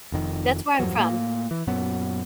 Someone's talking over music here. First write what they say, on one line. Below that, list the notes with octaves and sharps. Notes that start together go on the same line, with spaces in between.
That's where I'm from.
F1 F2 D#3
E2 G2 F3 F#3
A2 A#3
E3
F#2 A#2 F#3 B3